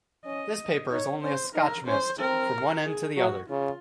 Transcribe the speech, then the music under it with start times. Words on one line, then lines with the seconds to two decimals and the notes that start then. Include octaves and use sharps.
This paper is only a Scotch mist from one end to the other.
0.25 C#4 D#5
0.91 D#4 C#5
1.23 C#4 C5
1.55 D#4 A#4
1.87 C#4 C5
2.20 C4 A#4
2.85 G#4
3.17 F#3 F#4
3.50 C#3 F4